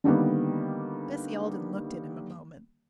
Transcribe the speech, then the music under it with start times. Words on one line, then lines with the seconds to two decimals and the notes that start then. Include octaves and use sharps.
Bessie Alden looked at him a moment.
0.04 D3 D#3 G3 A#3 B3